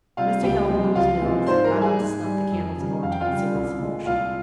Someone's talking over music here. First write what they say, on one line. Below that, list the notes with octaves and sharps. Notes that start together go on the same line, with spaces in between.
Mr. Hale blew his nose, and got up to snuff the candles in order to conceal his emotion.
C3 G3 F4 F5
C#2 G4 G5
C3 F3 G#3
C#2 F4 F5
C3 F3 G#3
G#2 C5 C6
A#4 A#5
G3
G#4 G#5
G#2
G3
F2
C#3 G3
F2 F5
G5
F4 F5
C#3 G3
C2
A#2 G#3
C2 F4 F5